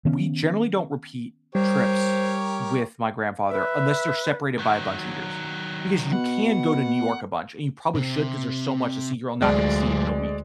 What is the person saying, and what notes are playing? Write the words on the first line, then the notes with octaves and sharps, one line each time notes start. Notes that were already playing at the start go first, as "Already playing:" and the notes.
we generally don't repeat trips with my grandfather unless they're separated by a bunch of years because you can go to New York a bunch and you probably should 'cause there's so much to see, you're all not gonna see it in a week
D#3 B3 C#4
G3 G4 A#4 C5 C#5
B4 E5
D#3 F#3
B2 F#5
C3 C4
D2 F#3 G#3 F4 D5